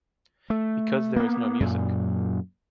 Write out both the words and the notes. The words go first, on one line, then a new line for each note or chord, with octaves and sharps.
Because there is no music.
A3
A#3 B3
F#2 A#2